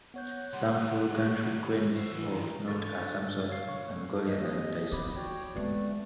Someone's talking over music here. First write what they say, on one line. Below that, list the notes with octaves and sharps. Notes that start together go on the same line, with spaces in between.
Some full gantry cranes of note are Samson and Goliath and Taisun.
B3 C#5 F#5 G6
D#2 G3 C6
C#6 F#6
C5 E5 F5
E3 F#4 E5
D#3 G#3 E4 A#5
G2 D3 C#6 A6
C#5 F5
C#6
D#4 A4
D#2 D#5
D#3 B3 D#4 B5 D6
F#4 C#5 D5 G5
G#3 A3 B3 C4 B4 D5